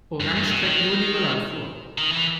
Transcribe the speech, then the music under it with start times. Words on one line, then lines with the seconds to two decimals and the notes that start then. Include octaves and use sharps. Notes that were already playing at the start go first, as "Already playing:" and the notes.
Orange trägt nur die Müllabfuhr.
0.20 G2
0.35 G2
0.50 B2
0.65 D#3
1.98 D#3
2.12 E3